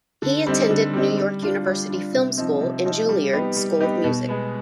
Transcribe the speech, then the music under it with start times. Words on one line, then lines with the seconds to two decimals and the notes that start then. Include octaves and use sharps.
He attended New York University Film School and Juilliard School of Music.
0.22 D3
0.47 G3 C4 D#4
0.70 D3
0.93 G3 C4 D#4
1.18 G3
1.42 D4 F4
1.66 G3
1.90 D4 F4
2.13 C3
2.38 F3 C4 D#4
2.61 C3
2.85 F3 C4 D#4
3.09 G3
3.33 B3 D#4 G4
3.57 G3
3.80 B3 D#4 G4
4.04 B2
4.29 G#3 B3